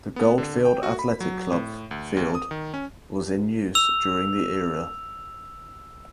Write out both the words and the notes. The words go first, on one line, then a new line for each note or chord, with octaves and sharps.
The Goldfield Athletic Club field was in use during the era.
B3
D3
G5
F#4
B5
F#3
A2
D2
D#2
D#6
D#3
C#4
E6 F7